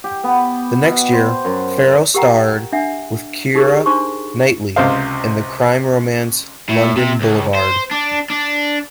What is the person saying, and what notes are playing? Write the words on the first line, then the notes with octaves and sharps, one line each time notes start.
The next year, Farrell starred with Keira Knightley in the crime romance "London Boulevard".
G4
B3
B2
C5
F#2
G4 A#4 F#5 G5 A#5
D4 E5 F#5
D#4 G4 G#4 A#4
D4 D#4 C5 C6 C#6
C#2 C3 C5 F5
A2
C3
C#2
C5
D4
D4